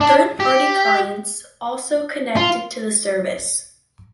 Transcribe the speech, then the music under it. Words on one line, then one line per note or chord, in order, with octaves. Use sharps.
Third-party clients also connected to the service.
D4
G4
F4